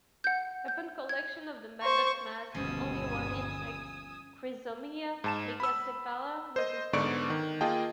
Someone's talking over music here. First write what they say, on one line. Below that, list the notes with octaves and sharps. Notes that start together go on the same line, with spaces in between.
Upon collection of the maggot mass, only one insect, "Chrysomya megacephala", was discovered.
F#5 G6
G6
G#6
C5 C#6
G1 D#2 B2 F3 C#4 G#5 D#6 E6
G#2 A5 E7
B5 E6
C5 D#5
G#2 D3 B3 D5 C#6 D7
D#3
A#3 F4 G#4 D#5 G5 A5